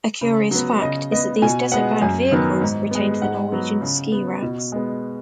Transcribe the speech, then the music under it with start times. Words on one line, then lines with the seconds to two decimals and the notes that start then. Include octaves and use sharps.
A curious fact is that these desert-bound vehicles retained the Norwegian ski-racks.
0.21 C#3
0.51 F#3 B3
0.81 C#3 D#5
1.12 B3 D#5
1.42 B2 G#5
1.72 G#3 B3 F#5
2.02 F#2 G#5
2.32 D#3 F#3 B3
2.61 G#2
2.91 G#3 B3
3.22 G#2 F#5
3.52 F#3 B3
3.81 C#3
4.12 B3
4.42 B2
4.72 G#3 B3